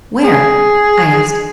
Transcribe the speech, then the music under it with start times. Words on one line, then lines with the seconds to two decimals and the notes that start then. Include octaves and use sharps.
"Where?" I asked.
0.24 G#4